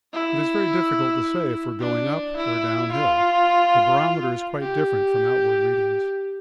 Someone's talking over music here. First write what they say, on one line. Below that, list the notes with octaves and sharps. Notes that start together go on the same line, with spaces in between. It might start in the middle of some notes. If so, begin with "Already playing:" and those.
It is very difficult to say if we are going up or down hill; the barometer is quite different from outward readings.
E4
D4
E4
F4
G4